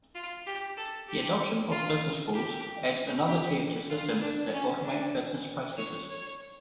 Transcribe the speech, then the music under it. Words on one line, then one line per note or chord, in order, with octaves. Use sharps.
The adoption of business rules adds another tier to systems that automate business processes.
F4
G4
A4
G4
F4
G4
G4
F4
D4
C#4
D4
C#5
C#5